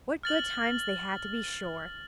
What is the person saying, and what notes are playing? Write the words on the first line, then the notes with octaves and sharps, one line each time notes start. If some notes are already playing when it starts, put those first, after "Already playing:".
What good times they had, to be sure.
F6 A6 F#7